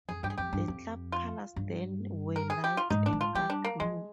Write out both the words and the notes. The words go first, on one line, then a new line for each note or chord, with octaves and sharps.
The Club colours then were Light and Dark Blue!
F2 G#4
G2 G4
G#4
F2 G4
G2
F2
F4
G2
A#4
G#4
G4
F4
G#2 D#4
D4
G#2
F4
G3 G4
D4
A#3
F3 G#3